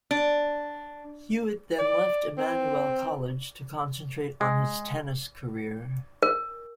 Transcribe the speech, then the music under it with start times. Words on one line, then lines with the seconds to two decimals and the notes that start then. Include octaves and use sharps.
Hewitt then left Immanuel College to concentrate on his tennis career.
0.11 D4
1.79 D5
2.38 C4
4.41 G#3
6.23 A#4